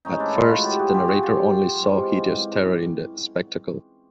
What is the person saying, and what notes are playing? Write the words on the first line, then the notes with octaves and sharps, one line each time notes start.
At first the narrator only saw hideous terror in the spectacle.
A2 E3 G#3 C#4 D#4
D4 E4
D#4 F4
E4 F#4
F4 G4
F#4 G#4
F4 G4
F#4 G#4
F4 G4
C3 E3 G#3